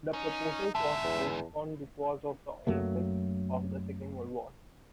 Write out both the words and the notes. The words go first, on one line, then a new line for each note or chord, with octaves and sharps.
The proposal was postponed because of the onset of the Second World War.
C#4 D#4
G#2 D3 E5 A5
E2
F#2 F#3 A3 A#3